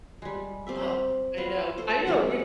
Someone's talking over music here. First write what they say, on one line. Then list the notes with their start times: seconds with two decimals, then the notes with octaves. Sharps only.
Oh, I know. I know you
0.22 G3 G#3
0.67 C4 G4 E5
1.37 F4 B4
1.78 A4 C5
2.07 C3 F#3 C#4 G4